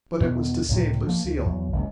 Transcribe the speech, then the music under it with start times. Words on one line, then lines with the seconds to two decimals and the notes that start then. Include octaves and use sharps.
But it was to save Lucille.
0.20 E2 B2 D#3 E3
0.68 C#2 A2 C3
1.06 F3 A#3
1.24 D2
1.46 E2 F#3
1.72 F#1 C#2